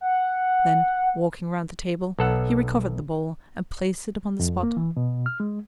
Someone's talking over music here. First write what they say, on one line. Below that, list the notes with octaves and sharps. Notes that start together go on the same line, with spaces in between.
Then, walking round the table, he recovered the ball and placed it upon the spot.
F#5
B1 A4 F#5
F2
A#3
E3
B2
F6
G#3